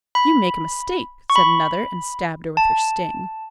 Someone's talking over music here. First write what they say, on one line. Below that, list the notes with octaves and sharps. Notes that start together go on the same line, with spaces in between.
"You make a mistake," said another, and stabbed her with her sting.
B5
C#6
B5
A5